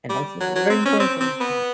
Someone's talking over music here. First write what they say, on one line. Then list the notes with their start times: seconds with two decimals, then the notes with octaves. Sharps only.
and honestly, it's very important to understand that,
0.10 G3
0.40 F#3
0.56 F#3
0.70 C4
0.85 C#4
1.00 C4
1.20 C4
1.40 B3